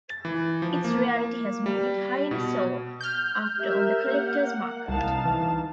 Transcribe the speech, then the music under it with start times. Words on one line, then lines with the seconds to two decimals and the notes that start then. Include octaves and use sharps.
Its rarity has made it highly sought after on the collectors market.
0.10 A6
0.25 E3
0.62 F3
0.84 A#3
1.66 G3
2.31 B2
3.01 F6 G6
3.60 G4 A#4 E5
4.05 A#3 F#5
4.88 C2 D#4 F5 A5
5.25 E3